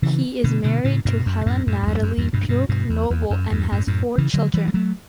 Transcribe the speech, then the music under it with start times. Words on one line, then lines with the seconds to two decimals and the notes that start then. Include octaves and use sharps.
He is married to Helen Natalie Pugh Noble and has four children.
0.02 C#3 E3
0.44 B2 D3
0.64 B2 D3
0.84 A2 C#3
1.05 G2 B2
1.26 F#2
1.41 B2
1.46 F#2 A2
1.67 F#2 A2
1.83 F#2
1.87 E2 G2
2.03 F#2
2.18 E2 G2
2.33 G2 B2
2.43 A2
2.49 G2 B2
2.69 G2 B2
2.89 E2
3.10 E2
3.30 F#2
3.51 E2 G2
3.72 F#2 A2
3.87 F#2 A2
4.18 C#3 E3
4.34 D3 F#3
4.54 E3 G3
4.67 G3
4.74 F#3 A3